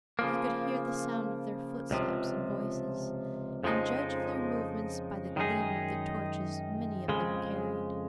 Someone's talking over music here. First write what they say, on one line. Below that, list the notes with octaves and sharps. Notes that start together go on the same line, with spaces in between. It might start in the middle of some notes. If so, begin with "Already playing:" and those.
He could hear the sound of their footsteps and voices, and judge of their movements by the gleam of the torches many of them carried.
C#3 F3 A#3
C#2 C3 F3
F2 C#3 F3 G#3 D#4
F#2 D#3 G#3 D#4 G#4
F2 C#3 G#3